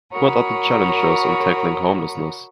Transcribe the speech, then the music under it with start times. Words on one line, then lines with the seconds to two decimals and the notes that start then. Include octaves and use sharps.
What are the challenges in tackling homelessness?
0.12 F#4 A#4 C#5 A#5 B5 D#6